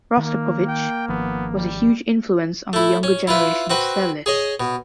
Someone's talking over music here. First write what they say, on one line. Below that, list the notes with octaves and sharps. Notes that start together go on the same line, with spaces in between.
Rostropovich was a huge influence on the younger generation of cellists.
D#3 A#3
G5
G#1 D#3 F3 B3
G3
A3 E4
C#4
E4 F4 B4 E5
C4 F#4 B4
G#4 C#5 D#5
B2